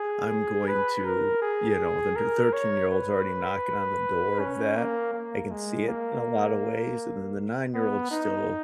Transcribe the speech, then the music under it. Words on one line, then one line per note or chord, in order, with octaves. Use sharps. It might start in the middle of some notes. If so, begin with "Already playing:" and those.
I'm going to, you know then tur thirteen-year-old's already knocking on the door of that. I can see it, in a lotta ways, and then the nine-year-old's still
Already playing: G#4
B4
A#4
G#4
A#4
C#5
B4
C#4
A#3
A#3
G#3
A#3
B3
D#4